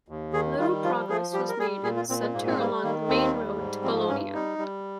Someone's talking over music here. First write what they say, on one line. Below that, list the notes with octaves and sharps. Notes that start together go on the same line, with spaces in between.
Little progress was made in the centre along the main road to Bologna.
D#2
D#3 G#4
G3 F4
F3 F4
F3 G#4
G3 G4
A#4
G3 G#4
A#2 G#4
F4
A#2 C4
G#3
G#2 A#3
C4
G3 A#3
D#3 A#3
D#2 C4
G3
G#2
F3 C4
G2 C#4
G3 D#4
G3